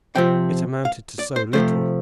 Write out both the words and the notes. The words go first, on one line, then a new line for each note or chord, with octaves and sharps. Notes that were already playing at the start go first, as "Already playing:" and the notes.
It amounted to so little!
C3 F3 C4 G5
F5
D5
C5
C3 F3 A3 C5